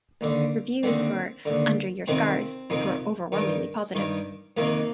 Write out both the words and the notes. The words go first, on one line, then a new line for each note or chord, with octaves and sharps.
Reviews for "Under Your Scars" were overwhelmingly positive.
D#2 D3
D#2 D3 C4
D#2 D3
F2 C3 D#3 C4
F2 C3 D#3
G2 D#3
G2 D#3
F2 C3 D#3 A#3